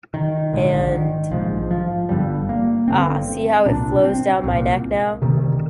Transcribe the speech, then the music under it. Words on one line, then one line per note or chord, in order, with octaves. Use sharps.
And — ah, see how it flows down my neck now!
D#3
A#1 G#2 D3
D#3
A#1 G#2 F3
F3
G1 G2 D3 G3
A#3
G1 G2 D3 C4
C2 A#2 D4
C4
C2 A#2
D2 C3 D#3